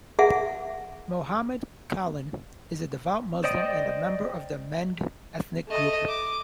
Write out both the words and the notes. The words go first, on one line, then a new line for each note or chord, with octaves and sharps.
Mohamed Kallon is a devout Muslim and a member of the Mende ethnic group.
G#4 E5 F#5
C5 D5 D#5 G5 D#6
A3 D#5
D6